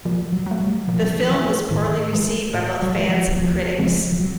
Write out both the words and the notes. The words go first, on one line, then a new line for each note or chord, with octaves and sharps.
The film was poorly received by both fans and critics.
A#2 F3
F#3
F#3 A3
G3
A#2 F3
F#3
F3
E3 F#3 A3
A2 D#3
E3 G#3
A2
F#3
E3 G#3
F3
D2 F3
C#3 E3 F3 G#3 C4
F3
F#3